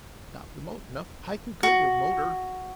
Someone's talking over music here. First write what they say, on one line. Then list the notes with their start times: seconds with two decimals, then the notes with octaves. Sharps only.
If not remote enough, I can go remoter.
1.63 F#4